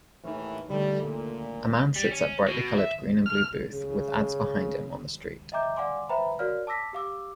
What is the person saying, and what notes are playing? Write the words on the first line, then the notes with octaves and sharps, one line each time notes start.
A man sits at brightly colored green and blue booth with ads behind him on the street.
D#2 A2 E3 C#4 D#4
D3 G3 A3
A#2
G3
C#4
B2
E5
F6
C#3
D#5 E5 G5 A#5 D6 G6
D5 F5 F#5 G#5 C6 D6
B4 C5 E5 G5 A#5 B5
F#4 A#4 C#5 D5 F5 F6
A5 D6 E6 A#6 B6
G4 F5 D6 E6